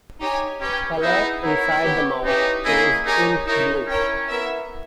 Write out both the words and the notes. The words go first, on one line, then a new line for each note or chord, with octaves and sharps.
Color inside the mouth is ink-blue.
D#4 G4 C#5 G#5
C#4 G4 B4 G5
B3 D#4 E4 G#4 B4 E5
B3 D#4 E4 A#4 C#5
B3 G4 C#5 G5
C#4 D#4 E4 G4 B4
A#3 C#4 E4 G#4 D#5
D#4 G4 A#4 C#5 G#5
D#4 E4 A#4 C#5
C#4 E4 A#4 C#5 G5
B3 E4 A#4 E5